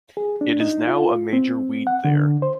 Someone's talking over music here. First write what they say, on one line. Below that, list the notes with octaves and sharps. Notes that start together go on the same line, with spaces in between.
It is now a major weed there.
G#4
D4
D#4
F4
C4
F#5
D3
C5